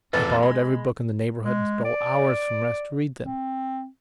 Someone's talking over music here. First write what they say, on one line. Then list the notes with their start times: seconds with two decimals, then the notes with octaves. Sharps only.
I borrowed every book in the neighbourhood and stole hours from rest to read them.
0.13 F1 E2 F4 A4 B4 D5
0.43 G#3 B5
1.41 G#3
1.85 D5
3.23 C4